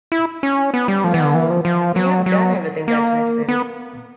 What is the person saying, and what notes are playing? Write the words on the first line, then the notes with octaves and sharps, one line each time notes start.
Well, we’ve done everything that’s necessary.
E4
C#4
B3
G3
F3
E3
D#3
D3
E3
F3
F3
F#3
F#3
A#3
B3